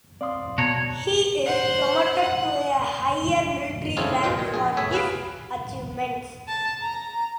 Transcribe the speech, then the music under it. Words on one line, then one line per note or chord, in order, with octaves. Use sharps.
He is promoted to a higher military rank for his achievements.
C4 D5 F5 C6 D#6
B2 F#4 C#5 A5 A#5 G#6
C5 F#5
F#5
C4 C#4 E4 F4 G#4 A4
G#1 B2 F4 D#5 G5
A#2
A#1 G#4
A3 G#4 C#5 E5
B3 G#4 B4 F5
A5
A#5